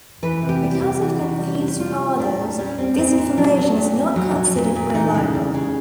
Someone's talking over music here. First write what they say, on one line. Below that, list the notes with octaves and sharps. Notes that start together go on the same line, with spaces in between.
Because of confused fathers, this information is not considered reliable.
E3 B4
C3
G4
G3
G4
C3
E3 F#4
C3
G3
C3
G3 F4
G3
A#2 D4
A#2
G3 C#4
G3 C4
A#2 C4
A#2 C4
F#3 D4
F#3
A#2
A#2
F#3
F#3
A#2
A#2
E3 D#4
C#3
G3
C#3